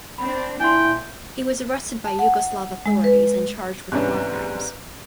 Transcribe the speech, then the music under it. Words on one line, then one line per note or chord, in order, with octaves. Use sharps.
He was arrested by Yugoslav authorities and charged with war crimes.
C4 D4 B5
A#2 E4 G5 G#5 C6
A5
F#5
G#3
B4
G#2 C3 E3 B3 C#4 D4